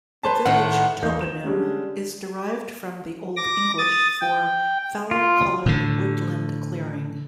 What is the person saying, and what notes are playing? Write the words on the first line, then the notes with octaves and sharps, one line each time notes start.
The village toponym is derived from the Old English for "fallow-coloured woodland clearing".
B4 C5 A5
A2 D#3 F#5
E2 A#3 D#4 F5 G6
E7
D3 G3 G#3 C#4
D6 A#6
D#6 A6
G5
F4
A2 D3